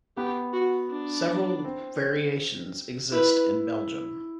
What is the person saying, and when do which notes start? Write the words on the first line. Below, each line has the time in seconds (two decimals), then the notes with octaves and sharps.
Several variations exist in Belgium.
0.17 B3 G4
0.53 F#4
0.91 D4
1.64 C4
3.12 E4 B4